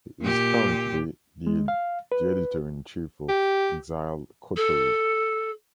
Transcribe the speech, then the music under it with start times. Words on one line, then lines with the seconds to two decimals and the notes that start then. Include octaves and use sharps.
He is currently the editor-in-chief of "Exile" Quarterly.
0.21 A#2 G4
1.47 G#3
1.68 F5
2.12 B4
3.29 G4
4.56 A4